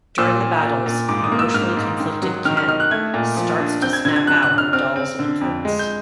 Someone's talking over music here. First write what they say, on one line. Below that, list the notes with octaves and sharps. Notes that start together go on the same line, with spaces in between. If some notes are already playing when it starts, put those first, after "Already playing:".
During the battles, an emotionally conflicted Ken starts to snap out of Doll's influence.
A#2 E6
A#2
A#2
A#2
G#2 D6
D#6
A#3
E6
G#2 F6
G#2
D#3
F#3
D#3 F6
F6
D#4 F6
F#6
A3 G#6
A#2
F3
D4
C4 G6
G#6
D3 G#6
G#6
F#2 F#6
F#6
D3
F6
C4 F6
C4
D3
F2
G#3
G6